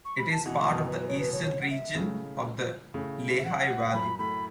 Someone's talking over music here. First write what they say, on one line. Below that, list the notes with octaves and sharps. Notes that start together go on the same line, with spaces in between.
It is part of the eastern region of the Lehigh Valley.
C#6
B5
A5
B2 E3 F#5
F#2 B2
B4
C#5
B4
C#5
B4
C#5
C#5
F#5
E5
A2 C#3
A2 C#3
E5
F#5
F#2 B5
A2 B5